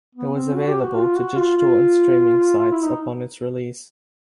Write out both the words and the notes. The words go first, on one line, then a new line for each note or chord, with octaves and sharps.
It was available to digital and streaming sites upon its release.
B3
C4
F#4
G4
F#4
F4
F#4
F4
F4
F4
E4
D#4